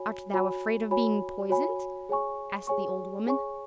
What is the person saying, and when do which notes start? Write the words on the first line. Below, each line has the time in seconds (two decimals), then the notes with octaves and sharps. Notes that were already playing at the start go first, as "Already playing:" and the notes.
"Art thou afraid of being poisoned?" asked the old woman.
Already playing: F#4 C#5 G#5 B5
0.33 F#4 C#5 G#5 B5
0.91 F#4 C#5 G#5 B5
1.50 F#4 C#5 G#5 B5
2.09 G#4 C#5 G#5 C#6
2.67 G#4 C#5 G#5 C#6
3.26 G#4 C#5 G#5 C#6